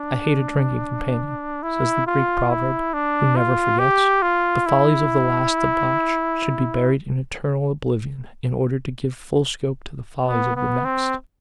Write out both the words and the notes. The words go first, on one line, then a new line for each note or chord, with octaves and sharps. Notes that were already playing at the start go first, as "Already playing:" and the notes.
I hate a drinking companion, says the Greek proverb, who never forgets. The follies of the last debauch should be buried in eternal oblivion, in order to give full scope to the follies of the next.
Already playing: D4
E4
F4
E4
D4
F4
G4
F4
E4
B3
B3
C4